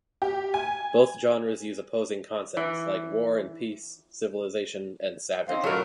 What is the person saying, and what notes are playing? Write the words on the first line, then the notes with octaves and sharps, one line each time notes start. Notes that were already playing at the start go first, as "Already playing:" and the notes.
Both genres use opposing concepts like war and peace, civilization and savagery.
G4
G#5
E3
D3 C4 C#4 D#4 D#5 F5
A2 F#3 A3 F4 A#4